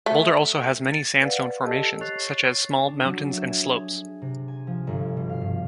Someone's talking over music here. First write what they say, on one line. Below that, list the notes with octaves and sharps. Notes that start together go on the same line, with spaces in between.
Boulder also has many sandstone formations, such as small mountains and slopes.
A3
A6 C#7
B4 D5 F5 F#5
G4 A4 D#5 A5 E6
C#5 C#6 F#6 A6 C7 F7
D4
F#3
E5
G#6
G#4
C3
G#5
F3
G1
B2
F5
G2